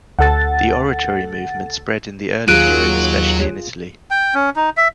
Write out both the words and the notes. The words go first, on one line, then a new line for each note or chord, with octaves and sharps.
The Oratory movement spread in the early period especially in Italy.
D2 A4 F#5 A6
D#2 F#3 F4 G#4 F#6 D7 D#7
G5
C#4
D#4
E5